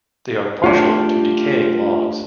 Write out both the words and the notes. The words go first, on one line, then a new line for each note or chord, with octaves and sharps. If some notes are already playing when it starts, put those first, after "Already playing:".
They are partial to decaying logs.
A3 D4 F4 G4